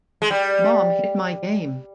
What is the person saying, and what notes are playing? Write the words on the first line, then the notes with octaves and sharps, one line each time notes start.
Mom Hid My Game!
G#3
G3